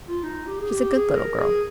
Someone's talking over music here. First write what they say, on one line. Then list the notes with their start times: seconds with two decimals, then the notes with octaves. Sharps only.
She's a good little girl.'
0.08 F4
0.23 D#4
0.47 G4
0.59 G#4
0.70 G4
0.93 G#4
1.16 A#4
1.40 G#4